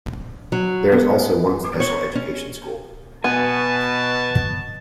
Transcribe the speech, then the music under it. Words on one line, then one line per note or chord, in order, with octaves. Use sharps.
There is also one special education school.
F#3
B3
C#5
C#4
B2 B3 G#5 A5